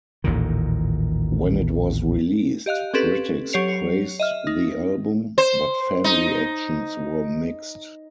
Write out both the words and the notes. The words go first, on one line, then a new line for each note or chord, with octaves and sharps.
When it was released, critics praised the album, but fan reactions were mixed.
A1 D#2 A#2 D#3
G4 D#5 F5 F#6
C4 C#4 G4 A4 B4
F#3 G4 C#5 C7 C#7 F7
D#5 E5 F6
D#4
C5
D#4